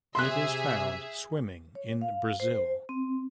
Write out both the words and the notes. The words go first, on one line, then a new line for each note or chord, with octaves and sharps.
It is found swimming in Brazil.
C3 G#4 E5 C6 F#6
C#5
F5
C5
C4